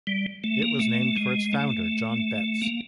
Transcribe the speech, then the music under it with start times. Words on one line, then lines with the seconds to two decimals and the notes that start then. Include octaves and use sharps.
It was named for its founder, John Betts.
0.07 G3
0.44 A3
0.62 A#3
0.80 A3
1.17 G#3
1.53 A3
2.62 A#3